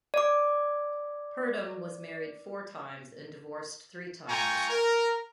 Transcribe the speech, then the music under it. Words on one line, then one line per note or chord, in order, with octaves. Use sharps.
Purdom was married four times and divorced three times.
D5 D6
A3 F4 G5 G#5 A#5 C#6
A#4